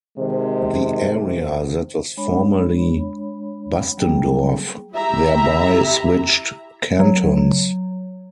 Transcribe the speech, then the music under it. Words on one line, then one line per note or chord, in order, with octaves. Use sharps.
The area that was formerly Bastendorf thereby switched cantons.
C3 D#3 G#3 C5
G#3 D4 C#5 B5
F#3 G3 A#3 G#4 G5
E4 G4 E5 A#5
F#3